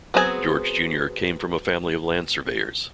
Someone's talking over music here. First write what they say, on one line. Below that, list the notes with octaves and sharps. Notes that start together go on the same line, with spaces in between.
George Junior came from a family of land surveyors.
F#3 B3 C4 D#4 G#4